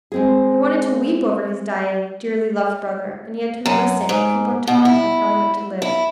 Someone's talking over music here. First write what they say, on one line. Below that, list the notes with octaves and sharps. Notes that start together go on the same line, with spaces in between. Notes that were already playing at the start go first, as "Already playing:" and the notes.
He wanted to weep over his dying, dearly loved brother, and he had to listen and keep on talking of how he meant to live.
G#3 C4 G#4
F#2
G#2
B2
E4
E4